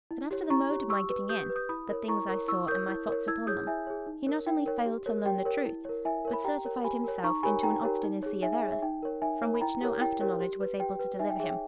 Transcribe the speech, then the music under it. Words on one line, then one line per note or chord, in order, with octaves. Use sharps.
But as to the mode of my getting in, the things I saw, and my thoughts upon them, he not only failed to learn the truth, but certified himself into an obstinacy of error, from which no after-knowledge was able to deliver him.
E4
G4 C#5
E4 A#5 C#6
G4 C#5
G4 C#6 E6
B4
G4 D#6 G6
B4
D#6 G6
E4 B5 D#6
A#4 C#5
E4 A#5 C#6
A#4 C#5
E4 C#6 E6
A#4 C#5 D#6 G6
E4
A#4 C#5
E4 E6 G#6
G#4 C#5 D#6 G6
E4 E5 G#5
G#4 C#5
D#4
A#4 C#5
D#4 G5
A#4 C#5
G4
A#4 C#5
G4 G5
A#4 C#5
E4
A#4 C#5
E4 E5 G#5
A#4 C#5
B5
G4 G5 A#5
A#4 C#5
G4 G#5 B5
A#4 C#5
D#4 A#5 C#6
G4 A#4 C#5 G#5 B5
D#4 G5 A#5
G4 A#4 C#5
D#4
G#4 C#5
D#4 E5 G#5
E5 G#5
G#4 C#5
E5
D#4 G5
A#4 C#5
D#4 E5 G#5
A#4 C#5
B5
E4 G5 A#5
G4 A#4 C#5
E4 G5
G4 A#4 C#5
G4
B4
G4 G5
B4
D#4 E5 G#5
G5
G#4 C#5 E5
G5